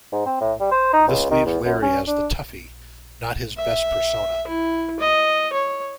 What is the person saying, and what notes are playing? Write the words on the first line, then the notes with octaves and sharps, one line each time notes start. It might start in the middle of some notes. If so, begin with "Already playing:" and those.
This leaves Larry as the toughie - not his best persona.
G#2
C4
A2
G3
C5
D#4
C#2
D#3
E2
F#2
C#4
D4
E5
E4
D#5
C#5